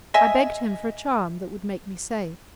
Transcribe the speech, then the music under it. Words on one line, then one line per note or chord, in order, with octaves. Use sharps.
I begged him for a charm that would make me safe.
D#5 E5 G#5